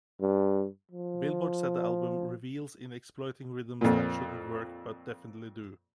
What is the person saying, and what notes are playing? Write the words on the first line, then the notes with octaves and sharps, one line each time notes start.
"Billboard" said the album "revels in exploiting rhythms that shouldn't work-but definitely do".
G2
F3
F2 A#2